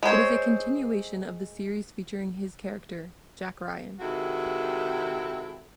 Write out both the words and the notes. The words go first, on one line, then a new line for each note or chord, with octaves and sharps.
It is a continuation of the series featuring his character Jack Ryan.
G#3 C4 C5 C#5
C3 D#3 G#3 E4 F#4 A4